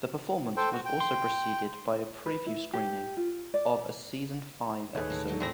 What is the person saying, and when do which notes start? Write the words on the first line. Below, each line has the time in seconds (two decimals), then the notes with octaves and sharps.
The performance was also preceded by a preview screening of a season five episode.
0.57 A4 C5 G5
0.72 F#4
0.85 G5
1.00 C6
2.26 B4
2.46 E4
2.73 G4
3.17 F4
3.54 D5
4.95 D#2 A3 G#4 B4 C#5
5.10 B2 E3
5.27 D3 F#3 D#4 C#5
5.40 E2 A2 C4 F#4 G#4 C5 A#6